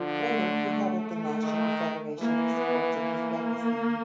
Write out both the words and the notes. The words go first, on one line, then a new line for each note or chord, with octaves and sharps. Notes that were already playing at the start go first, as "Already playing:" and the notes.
Later, he headed the National Federation of Sports of Uzbekistan.
Already playing: D3 F3
A3
A3
D#3
E3 A#3
B3
A#3